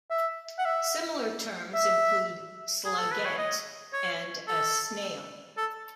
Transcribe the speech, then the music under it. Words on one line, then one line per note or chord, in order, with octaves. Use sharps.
Similar terms include "slugette", and a "snail".
E5
F#5
E5
E5
G#4
A4
B4
C#5
D#5
C#5
A4
A4